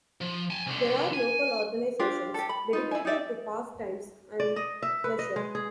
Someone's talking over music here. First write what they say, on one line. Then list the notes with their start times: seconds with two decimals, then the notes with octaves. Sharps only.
There are local organisations dedicated to pastimes and leisure.
0.21 F3
0.50 G#5 A5
0.67 C2 D3
1.13 G#5
1.99 D4 F4 G4 C5
2.34 G4 A4
2.49 B5
2.73 D#4 F4 B4
2.91 E4 G#5
3.05 D#4 G4 D5 E5
4.40 D5
4.56 D#5
4.82 E5
5.04 B4
5.19 D#5
5.36 G#3
5.55 G#4